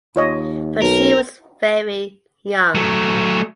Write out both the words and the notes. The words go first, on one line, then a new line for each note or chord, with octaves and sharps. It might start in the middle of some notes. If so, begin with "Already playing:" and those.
But she was very young.
D#2 F4 C#5 D#5
B1 A#4
F#3 A3